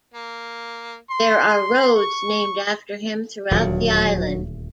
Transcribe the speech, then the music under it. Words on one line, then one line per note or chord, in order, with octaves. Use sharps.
There are roads named after him throughout the island.
A#3
C6
C#6
D#1 D2 F#3